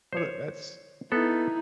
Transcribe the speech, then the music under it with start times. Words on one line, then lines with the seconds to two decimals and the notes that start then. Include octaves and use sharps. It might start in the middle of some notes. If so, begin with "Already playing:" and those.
Oh, that that's
0.13 C5 C#5
1.12 B3 D#4 E4 A4